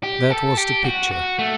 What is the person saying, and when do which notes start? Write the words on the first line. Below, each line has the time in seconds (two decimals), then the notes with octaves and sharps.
That was the picture!
0.03 G4
0.30 A4
0.57 G4
0.85 F#4
1.11 F#4
1.39 A3